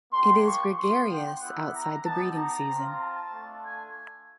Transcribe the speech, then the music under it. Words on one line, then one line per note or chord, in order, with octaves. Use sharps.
It is gregarious outside the breeding season.
A#3 D4 G4 C6
C#6
B3 D4 F4 C6
G5
B3 E4 G4 F#5
A#5
B3 D#4 G4 A5
A#5
C4 F4
A5
A3 D4 F4
G#5